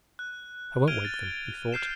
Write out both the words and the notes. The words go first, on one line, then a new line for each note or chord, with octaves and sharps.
'I won't wake them,' he thought.
F#6
F6 G#6 D7 D#7 F7 G7
A6
F6 G6 C7 E7